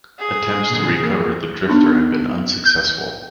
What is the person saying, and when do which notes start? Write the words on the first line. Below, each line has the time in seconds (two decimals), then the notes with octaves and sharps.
Attempts to recover the drifter have been unsuccessful.
0.19 G#4
0.70 A#2 D3 F#3
1.00 D#3 E3 A#3 G#4
1.69 B3 D4 D#4